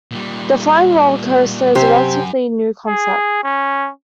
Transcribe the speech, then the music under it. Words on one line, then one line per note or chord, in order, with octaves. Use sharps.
The flying roller coaster is a relatively new concept.
A#2 G3
F#2 C3 G4 C5 G#5
G#4
C#4